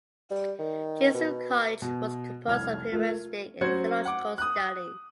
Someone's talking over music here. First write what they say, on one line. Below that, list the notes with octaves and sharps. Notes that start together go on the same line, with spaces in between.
Jesuit College was composed of humanistic and theological studies.
G3
D#3
B2
B2
F1 C2 F6 G#6
A3 F4 A#4
F#3 C#4 F#4 C5 G#6 C#7
F#5 D6
D#6 F#6